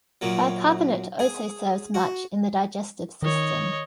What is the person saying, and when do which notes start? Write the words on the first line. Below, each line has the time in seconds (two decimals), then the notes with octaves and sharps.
Bicarbonate also serves much in the digestive system.
0.21 F#2 A#2 F#3
1.19 G#4
1.94 F#4
3.22 D#3 C#5 D#5